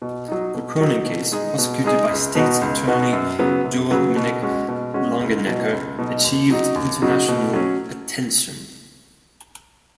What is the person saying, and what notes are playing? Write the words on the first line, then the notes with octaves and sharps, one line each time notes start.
The Cronin case, prosecuted by State's Attorney Joel Minnick Longenecker achieved international attention.
B2
F#3 D#4
B2
F#3 D#4
B2
G#3 D#4 G#4
B2
G#3 D#4 G#4
C#2
B2 B3 D#4 F#4
C#2
B2 B3 D#4 F#4
F#2
C#3 F#3 B3
F#2
C#3 F#3 B3
B2
G#3 C#4 F#4
B2
G#3 C#4 F#4
C#2
B2 F#3 D#4
C#2
B2 F#3 D#4
D#2
C#3 F#3 D#4 F#4
D#2
C#3 F#3 D#4 F#4
B2
F#3 C#4